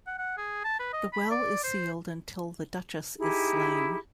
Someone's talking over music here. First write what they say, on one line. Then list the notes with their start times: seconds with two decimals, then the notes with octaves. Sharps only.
The well is sealed until the Duchess is slain.
0.07 F#5
0.19 F#5
0.38 G#4
0.64 A5
0.79 B4
0.94 D#5
1.13 B5
1.31 D5
1.64 C5
3.17 D#4 E4 G4 G#4